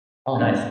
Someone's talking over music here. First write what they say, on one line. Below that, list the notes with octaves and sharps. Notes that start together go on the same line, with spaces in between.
Oh, nice.
A2 G#3 B3 D4